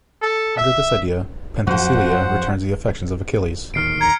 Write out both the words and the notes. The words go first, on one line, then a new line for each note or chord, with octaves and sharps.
Under this idea, Penthesilea returns the affections of Achilles.
A4
E5
F2 F3 F#3 F#4 C5 F#5
D1 D#2 D#3 F6 C7 D7
A#5 G#6 C#7